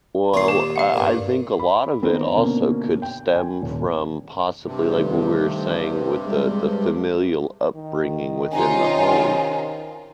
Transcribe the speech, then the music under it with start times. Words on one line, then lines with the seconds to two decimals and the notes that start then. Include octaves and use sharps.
Well, uh, I think a lot of it also could stem from, possibly, like, what we were saying with the the familial upbringing within the home,
0.34 D#2 A#2 F4 C#6 C7
0.48 G4
0.76 F5 F#5
0.94 G2 A#2
1.59 B5
2.02 D#3 B3 C4 D#4
2.36 B2 D3 A#3 C#4
3.02 G5
3.34 G#5
3.62 D#1
4.64 G2 C3
4.97 D#3 A3
6.25 G3 G#3
7.76 D#3
8.52 C3 C#4 D#4 F4 G#5